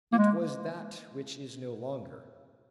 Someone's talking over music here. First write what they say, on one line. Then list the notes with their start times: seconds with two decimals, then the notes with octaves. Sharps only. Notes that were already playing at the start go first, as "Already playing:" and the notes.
It was that which is no longer.
0.13 A#3
0.18 G#3